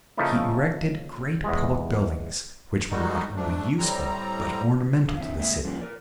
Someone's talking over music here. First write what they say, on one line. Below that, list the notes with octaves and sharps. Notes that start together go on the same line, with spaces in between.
He erected great public buildings, which were not only useful but ornamental to the city.
C#3 F3 A3 A#3 D#4 E4
E2 C3 G#3
D#3 G3 G#3 D#4 F#4
G#2 A3 D4
A2 G3 C4 A#5
D4 F5
C3 D#3 C4 D4 E4
C#2 G2 G#3 A#3 G#4 E5
F3 G3 A#3 B3 C#4 F4
A#4 D5